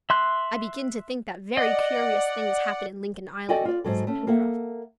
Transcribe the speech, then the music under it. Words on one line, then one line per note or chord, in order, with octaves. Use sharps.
"I begin to think that very curious things happen in Lincoln Island!" said Pencroft.
E5 C6 F#6
D5 D#5 F#5
F#4 A4 D5 D#5 G5 G#5
F4 D5
G#2 F#3 A4
A3 C#4
A#3 A4 E5 F#5